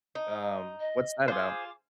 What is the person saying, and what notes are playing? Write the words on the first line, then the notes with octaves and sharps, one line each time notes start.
Um, what's that about?
D#4
D#5
F4 G#4 C5 D6